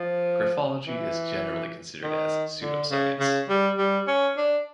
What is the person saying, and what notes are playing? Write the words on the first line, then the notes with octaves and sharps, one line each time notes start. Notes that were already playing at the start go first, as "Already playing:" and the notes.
Graphology is generally considered as pseudoscience.
Already playing: F3
E3
D#3
D3
C#3
C#3
G3
G3
C#4
D4